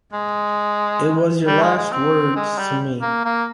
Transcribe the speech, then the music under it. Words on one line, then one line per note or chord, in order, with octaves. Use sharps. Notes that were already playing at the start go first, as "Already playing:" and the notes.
It was your last words to me"".
G#3
G3
G#3
G#3
C4
G#3
G3
A#3
A#3